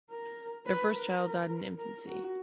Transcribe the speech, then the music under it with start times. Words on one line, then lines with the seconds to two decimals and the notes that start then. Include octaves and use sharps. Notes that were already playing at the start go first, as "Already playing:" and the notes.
Their first child died in infancy.
0.10 A#4
0.67 B4
0.95 A#4
1.79 A#4
2.07 F#4